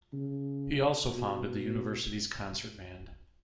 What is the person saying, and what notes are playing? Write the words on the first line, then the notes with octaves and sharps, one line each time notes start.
He also founded the University's concert band.
C#3
B2